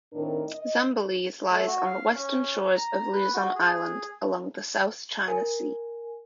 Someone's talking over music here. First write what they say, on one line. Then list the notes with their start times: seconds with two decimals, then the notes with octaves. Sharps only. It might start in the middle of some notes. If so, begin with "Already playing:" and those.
Zambales lies on the western shores of Luzon island along the South China Sea.
0.13 A2 D#3 C4 D4 A#4
0.48 D#5
1.51 A3
1.67 F#4
1.85 F5
2.15 C#4
2.74 A#5
3.12 B4
3.34 F#4
3.55 G#4
5.28 A#4 G#5